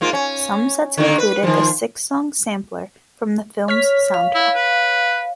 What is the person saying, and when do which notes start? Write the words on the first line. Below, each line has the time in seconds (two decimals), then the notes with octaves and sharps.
Some sets included a six-song sampler from the film's soundtrack.
0.01 G#2 A#3 F4
0.13 C#4
0.97 D3 D#3 A#3
1.18 B4
1.43 D#3 F3
3.68 C#5 F6 B6
4.14 F5
4.34 E4
4.55 B4